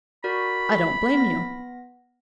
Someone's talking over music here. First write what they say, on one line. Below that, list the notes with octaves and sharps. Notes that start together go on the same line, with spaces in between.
I don't blame you.
F#4 A#4 D5 B5
B3 A#6